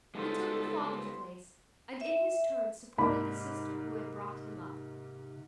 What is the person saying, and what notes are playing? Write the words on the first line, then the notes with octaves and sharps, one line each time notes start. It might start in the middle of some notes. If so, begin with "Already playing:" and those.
He took the father's place, and, in his turn, supported the sister who had brought him up.
G3 G#3 B3 D#4 F4 A4 C5
E5
G#2 C3 A#3 B5